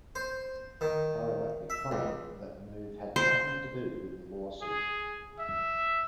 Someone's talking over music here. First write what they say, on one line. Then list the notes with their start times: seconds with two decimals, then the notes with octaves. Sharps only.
However, it claimed that the move had nothing to do with the lawsuit.
0.15 C5
0.81 D#3
1.70 E5
1.91 C#2
3.16 C5
4.62 G#4
5.39 E5